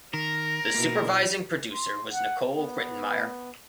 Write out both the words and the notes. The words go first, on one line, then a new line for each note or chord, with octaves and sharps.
The supervising producer was Nicole Rittenmeyer.
D#3 A#4 A#6
B2 A#3 E4
C6
F#5
B3